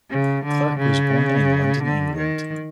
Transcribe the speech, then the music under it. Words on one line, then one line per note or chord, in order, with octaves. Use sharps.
Clarke was born in London, England.
C#3
D3
C#3
D3
D#3